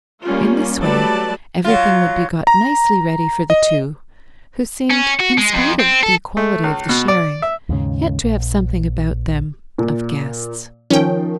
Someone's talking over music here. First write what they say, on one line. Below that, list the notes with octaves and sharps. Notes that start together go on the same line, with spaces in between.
In this way everything would be got nicely ready for the two who seemed, in spite of the equality of the sharing, yet to have something about them of guests.
G3 A#3 C#4 F4
F#3 G3 A3 B4 D5 A5
F#3 F4
A#5
D#5
C#4
F#4
G#3
F2
C4
A4
A3
C#2
B2
D5
E5
D#2 G#2 C#3
A#1
A#2
D#3 F3 C#4 G5